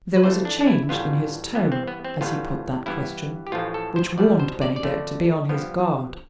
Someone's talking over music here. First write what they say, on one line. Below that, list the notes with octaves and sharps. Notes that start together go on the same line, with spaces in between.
There was a change in his tone, as he put that question which warned Bennydeck to be on his guard.
B4
F2 E3 A3 C5
D4
D4
E4
A1 A2 G3 B3 F4
G2 E3 B3
C4
B3
C4
A1 A2 G3 B3 F4
G2 E3 B3 E4
G4
A1 A2 F3 A3 F4
A4
C5
E2 B2 G3 B3 D5
C5
D5
D5
F2 D3 A3
G2 F3 B3